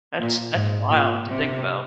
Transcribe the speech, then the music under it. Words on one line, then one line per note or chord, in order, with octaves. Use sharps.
That's that's wild to think about.
A#2
G#2
A#2
C3